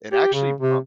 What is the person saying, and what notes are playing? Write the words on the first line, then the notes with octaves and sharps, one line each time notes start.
And, actually, um
G4
C#3
C3